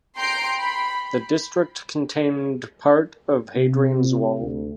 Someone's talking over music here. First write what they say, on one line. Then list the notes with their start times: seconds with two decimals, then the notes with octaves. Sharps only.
The district contained part of Hadrian's Wall.
0.17 G5 A#5 C6 G6 C7 D7
0.59 B5
3.55 C3
4.39 D2